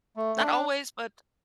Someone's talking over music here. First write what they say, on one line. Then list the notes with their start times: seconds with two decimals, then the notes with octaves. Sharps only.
not always, but
0.16 A3
0.40 D4